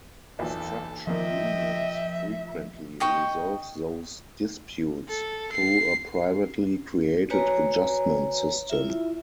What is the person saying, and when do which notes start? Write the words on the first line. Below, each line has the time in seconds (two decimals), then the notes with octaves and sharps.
Construction unions frequently resolve those disputes through a privately created adjustment system.
0.39 B1 E2 A#2 A4
1.07 A#2 D#3 F3 A#3 D#5 E5 G5
3.00 D#5 G5 C#6
5.09 A4
5.52 C7
7.30 F#4 B4 C#5 G#5 A#5
8.70 E4 F4 E5